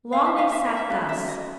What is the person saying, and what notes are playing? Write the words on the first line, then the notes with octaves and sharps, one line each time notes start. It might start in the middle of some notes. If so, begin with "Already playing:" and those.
Long they sat thus.
F5
E5
F5
E5
D#5
E5
C#4 F#4 A4 F5
E5
D#5